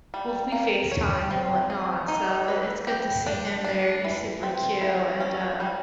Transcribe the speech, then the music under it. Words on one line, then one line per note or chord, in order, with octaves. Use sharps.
well, we FaceTime and whatnot, so, i it's good to see him there. He's super cute, and, uh,
G3
A#3
C#5
C4
G#4
D#4
B4
G4
D4
D4
E3
C4
E4
C#4
G3